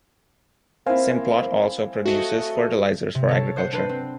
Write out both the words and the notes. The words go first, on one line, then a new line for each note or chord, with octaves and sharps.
Simplot also produces fertilizers for agriculture.
A#3 C4 E4 C5 F5 G#5
A3 F#4 D#5
C3
A4 C#5
C5 F#5
D4 B4 C5
C4